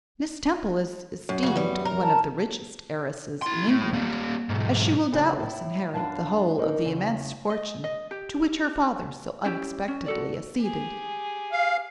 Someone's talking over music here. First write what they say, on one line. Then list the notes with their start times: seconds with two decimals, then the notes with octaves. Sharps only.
Miss Temple is esteemed one of the richest heiresses in England, as she will doubtless inherit the whole of the immense fortune to which her father so unexpectedly acceded.
1.29 F#2
1.43 C#3 F#4
1.56 G3 B3
1.85 A#4
2.03 A5
3.42 E4 C6
3.68 A2
3.93 G3 A#3
4.49 B1 G#2
5.12 A2 C#3 F#3
5.39 A2 E4
5.94 F#2 B3 D4 F5 A5
6.58 A#3 D#4
6.85 E2 C#3
7.50 D#5
7.84 D#5
8.11 G4
9.45 C#4 E4 G4
9.88 C#4
10.06 F#4 A4 D5
10.59 G4 G#4
11.52 F5